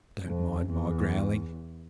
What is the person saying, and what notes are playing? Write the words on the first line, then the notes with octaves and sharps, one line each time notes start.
Don't mind my growling.
F2
E2